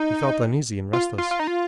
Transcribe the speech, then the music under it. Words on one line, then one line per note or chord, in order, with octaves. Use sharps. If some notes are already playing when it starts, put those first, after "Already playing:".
He felt uneasy and restless.
Already playing: D#4
F4
F4
F4
D#4
F4